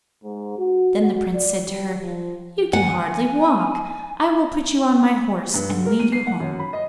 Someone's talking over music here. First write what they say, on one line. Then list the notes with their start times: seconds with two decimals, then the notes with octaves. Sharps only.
Then the Prince said to her, 'You can hardly walk; I will put you on my horse and lead you home.
0.24 G#2
0.58 F#4
1.02 F#4
1.34 D5
1.66 G3
2.03 F3
2.73 F#5 G#5
5.54 G2
5.69 D3
5.86 A#4
6.00 D#7
6.12 C7
6.27 F#5
6.40 F#2
6.60 B5
6.73 D#5